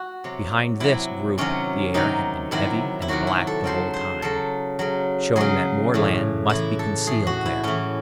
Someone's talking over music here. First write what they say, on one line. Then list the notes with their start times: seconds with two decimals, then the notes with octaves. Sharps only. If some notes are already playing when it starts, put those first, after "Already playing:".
Behind this group the air had been heavy and black the whole time, showing that more land must be concealed there.
Already playing: F#4
0.24 C3 F#3
0.80 C3 F#3 E4
1.38 C3 D#3 F#3 C#4
1.94 C3 D#3 F#3 D#4
2.51 C3 D#3 F#3 E4
3.02 E4
3.08 C3 D#3 F#3 F#4
3.27 E4
3.47 A4
3.64 C#3 F#3 C5
3.94 C5
4.22 C#3 F#3 A4
4.79 C#3 F#3
5.36 C#3 F#3 G#4
5.94 A2 E3
6.50 A2 E3 E4
6.79 A4
7.07 A2 E3 G#4
7.27 F#4
7.46 E4
7.63 A2 E3 C#4